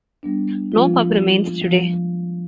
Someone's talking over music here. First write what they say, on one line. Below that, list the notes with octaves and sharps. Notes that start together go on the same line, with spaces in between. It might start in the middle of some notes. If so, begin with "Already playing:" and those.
No pub remains today.
G3 B3 D4
F3 G#3 F4
F3